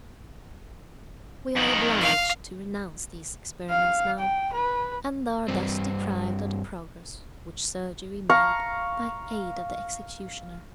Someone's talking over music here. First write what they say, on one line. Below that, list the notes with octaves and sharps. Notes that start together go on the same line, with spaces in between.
We are obliged to renounce these experiments now, and are thus deprived of the progress which surgery made by aid of the executioner.
F2 D#3
F5
F5
G5
B4
G2 C4
F5 A#5 C#6